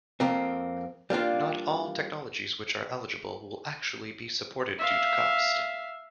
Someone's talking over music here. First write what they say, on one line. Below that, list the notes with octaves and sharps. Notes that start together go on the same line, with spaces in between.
Not all technologies which are eligible will actually be supported due to cost.
F2 A#3 C4
G3 A#3 D4 F4
E5 F5